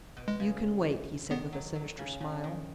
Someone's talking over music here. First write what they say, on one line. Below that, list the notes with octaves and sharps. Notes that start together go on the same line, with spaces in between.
"You can wait," he said with a sinister smile.
B2
G#3
C#3
D#3 B3
F#3
F#3
C#3
C#3
D#3